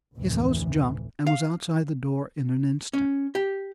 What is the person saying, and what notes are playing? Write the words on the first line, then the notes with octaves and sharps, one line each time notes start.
His host jumped, and was outside the door in an instant.
F1 D2 A2 E3
F5
C#4
G4